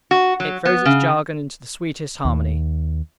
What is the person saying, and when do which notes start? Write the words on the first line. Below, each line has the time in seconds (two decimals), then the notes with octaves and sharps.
It throws its jargon into the sweetest harmony.
0.11 F#4
0.40 F#3
0.65 B3
0.85 C#3
2.25 D#2